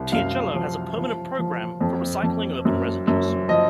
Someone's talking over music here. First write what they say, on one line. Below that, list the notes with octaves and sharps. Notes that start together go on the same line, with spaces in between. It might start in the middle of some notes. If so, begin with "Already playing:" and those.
Teocelo has a permanent program for recycling urban residues.
Already playing: C2
F#2 F5
F3
F3
F3
F2
F2
F#2
F#2
F3 D#5